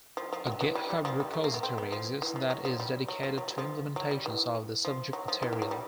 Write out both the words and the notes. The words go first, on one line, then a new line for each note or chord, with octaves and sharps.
A github repository exists that is dedicated to implementations of the subject material.
F3
F3
F#3
E3
G3
G3
F3
G3
A3
A#3
B3
C4
B3
F3
E3
F3
F#3
F3
G3
F#3
F3
F#3
G3
F3
F#3
G3
E3
F3
F#3
F3
E3
E3
F#3
G3